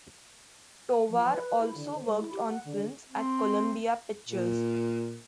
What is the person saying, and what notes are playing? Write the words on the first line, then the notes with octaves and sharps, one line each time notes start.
Tovar also worked on films at Columbia Pictures.
F3
B4
B4
E4
D3
C5
G#3
E4
G4
F#5
D3
C4
A#2